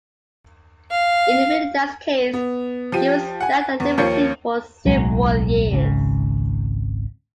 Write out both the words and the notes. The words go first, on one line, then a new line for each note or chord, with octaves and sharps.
In Veleda's case, she was left at liberty for several years.
F5
B3
F3 G4 D#7
F#5 G#5
E2
D#2 F3 A#3 C#5 G6 C#7
D1 B1 F#3 G#3
G#1 C#2 C#3